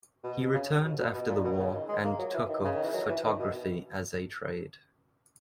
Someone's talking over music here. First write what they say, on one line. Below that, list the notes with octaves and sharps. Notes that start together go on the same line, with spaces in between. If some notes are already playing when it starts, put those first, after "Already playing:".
He returned after the war and took up photography as a trade.
B2
C#3
B2
B2
B2
A#2
B2
C#3
D#3
G#3
A#3
F#3
E3
D#3
C#3
D#3
E3
F#3
E3
D#3
B2